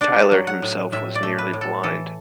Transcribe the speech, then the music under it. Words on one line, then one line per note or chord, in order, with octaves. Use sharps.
Tylor himself was nearly blind.
D4 D5
F#3
F#5
A2
A2 E5
D5
A3
B4
A2
A4
E3 A4